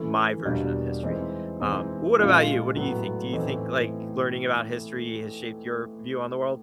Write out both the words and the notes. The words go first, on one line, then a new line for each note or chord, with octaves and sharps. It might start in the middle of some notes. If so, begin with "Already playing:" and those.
my version of history, um, what about you, what do you think, do you think, like, learning about history has shaped your view on the world?
Already playing: E3 A3 C#4 E4
E2 B2 G3 A#3 D4
E3 G#3 C4 D#4
E3 G#3 C4 D#4
A#2 F3 G#3 C#4 F4
A2 F#3 B3
A2 E3 A3 C4 D#4